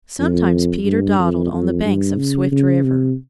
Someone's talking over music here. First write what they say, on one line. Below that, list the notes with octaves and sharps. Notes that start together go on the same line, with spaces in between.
Sometimes Peter dawdled on the banks of Swift River.
F2
G2
F2
F2
G2
C#3
C#3
C3